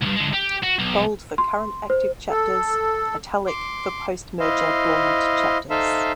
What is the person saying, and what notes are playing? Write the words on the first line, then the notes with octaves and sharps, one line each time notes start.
Bold for current active chapters, italic for post-merger dormant chapters.
C#2 G2
D3 G#3
G4
F#4
B1
C6
C5
A4
C6 D6
E4 C5 D#5 F5
D#4 A4 C5 E5 F5